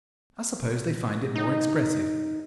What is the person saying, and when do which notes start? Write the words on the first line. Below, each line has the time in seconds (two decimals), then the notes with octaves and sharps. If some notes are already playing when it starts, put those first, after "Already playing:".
I suppose they find it more expressive.
1.36 D#4